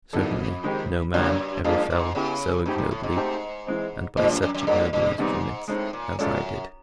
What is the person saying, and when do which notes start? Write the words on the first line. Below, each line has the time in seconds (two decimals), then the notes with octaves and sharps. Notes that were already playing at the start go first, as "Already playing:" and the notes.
Certainly no man ever fell so ignobly, and by such ignoble instruments, as I did.
0.13 F2 D#3 G3 B3 E4 A4
0.64 D#3 G#3 C4 D#4 G4
1.14 F#2 C#3 F#3 A#3 C#4 F#4
1.64 G2 F3 A#3 D4 F4 G#4
1.90 G#2
2.15 C#3 B3 E4 G4
2.66 B2 A3 C4 D#4 G4
2.78 A#2
2.91 A2
3.03 G#2
3.16 A3 C4 D#4 G4 C5
3.67 E3 G#3 C4
4.17 G2 A#2 F3 G#3
4.29 F#2
4.42 F#2
4.54 F#2
4.67 G2 A#3 C#4 F#4 A#4 D5
4.93 G2
5.18 G#2 C3 D#3 G3 B3 D#4
5.68 A2 G#3 C4 D#4
5.93 A#2
6.19 F#2 G#3 C#4 F4 A4 D5